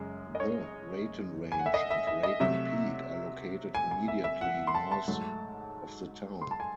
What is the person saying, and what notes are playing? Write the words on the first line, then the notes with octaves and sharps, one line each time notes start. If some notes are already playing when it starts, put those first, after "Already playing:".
The Raton Range and Raton Peak are located immediately north of the town.
Already playing: F#2 C#3 G#3
D#5
C#5
G#5
F#5
E5
D#5
E5
E5
D#5
C3 F#3 A3 E5
G#5
G#5
E5
E5
F#5
C6
A5
A5
G#2 F#3 A3
C6
A5
G#5